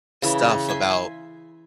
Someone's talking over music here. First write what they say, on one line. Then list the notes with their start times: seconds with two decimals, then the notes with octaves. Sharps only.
stuff about
0.22 C#3 E3 E5
0.69 E5 G#5 C6